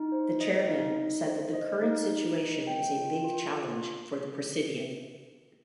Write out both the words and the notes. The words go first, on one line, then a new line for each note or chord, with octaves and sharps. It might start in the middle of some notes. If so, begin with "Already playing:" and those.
The chairman said that current situation is a big challenge for the presidium.
Already playing: D#4
C5
D#5
D#4
D#4
C5
D#5
D#4
D#4
D#5
G5
F4
F4